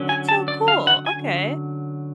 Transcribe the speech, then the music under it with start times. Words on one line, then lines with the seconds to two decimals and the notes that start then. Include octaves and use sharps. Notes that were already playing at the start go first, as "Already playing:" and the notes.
That's so cool, okay.
Already playing: D3 F#3 C#4
0.09 G#5
0.29 A5
0.48 D5
0.68 F5
0.87 F#5
1.06 G#5